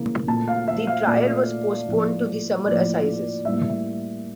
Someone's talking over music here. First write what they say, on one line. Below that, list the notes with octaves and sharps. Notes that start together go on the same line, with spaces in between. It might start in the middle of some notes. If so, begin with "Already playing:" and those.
The trial was postponed to the summer assizes.
Already playing: C#3 E3 A#3
A#2 A3 A5
F5
E5
F5
A#2 A3 D5
A2 F3 A#3
A2 F3 A#3 D5
A2 G3 A#3 E5